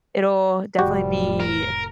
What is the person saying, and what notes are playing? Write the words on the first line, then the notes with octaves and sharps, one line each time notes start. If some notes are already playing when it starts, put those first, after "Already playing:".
it'll definitely be
F1 A2 F3 G3 F#4 G4
A#4